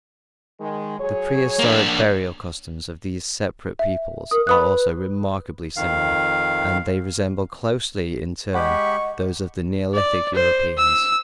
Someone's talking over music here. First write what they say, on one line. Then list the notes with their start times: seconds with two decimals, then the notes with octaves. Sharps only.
The prehistoric burial customs of these separate peoples are also remarkably similar and they resemble closely in turn those of the Neolithic Europeans.
0.60 D#3 G#3
0.98 F#3 G#4 C#5
1.59 A#3 D4
3.79 E5
4.31 A#4 D#6
4.47 B4 B5 D#6 F#6
5.77 F2 D#3 F5
8.55 G#3 G4 D#5 F#5 B5 C#6
9.94 D5
10.35 C5
10.78 E6